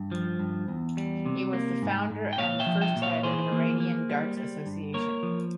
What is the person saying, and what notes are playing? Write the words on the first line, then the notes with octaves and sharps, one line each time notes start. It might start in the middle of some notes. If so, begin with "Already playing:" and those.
He was the founder and the first head of Iranian Darts Association.
Already playing: G2
F3
G2
E2
G3
C3
A#3
G#2
G#2
G5
A#2 C#5 F5
E5 G5
F3
E5 G5
A#2
C#5 F5
E3 G#4 C5
A#3
A#3
G3
G3
G2
A#3 A#4 C#5
F3